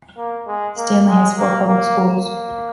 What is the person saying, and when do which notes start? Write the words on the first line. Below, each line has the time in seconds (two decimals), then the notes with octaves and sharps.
Stanley has four public schools.
0.17 A#3
0.47 G#3
0.77 A#3
1.07 G#3
1.37 A#3
1.67 A#3
2.12 A#3